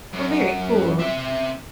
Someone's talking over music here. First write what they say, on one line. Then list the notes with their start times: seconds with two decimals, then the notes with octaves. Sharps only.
Well, very cool,
0.13 F#2
0.99 C4 E5